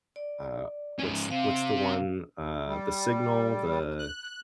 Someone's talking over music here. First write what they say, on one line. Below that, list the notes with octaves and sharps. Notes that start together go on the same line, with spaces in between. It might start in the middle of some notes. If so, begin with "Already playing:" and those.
uh what's what's the one, uh, the signal, the
D5
G#2 C#4
C3 F5
G3
F#6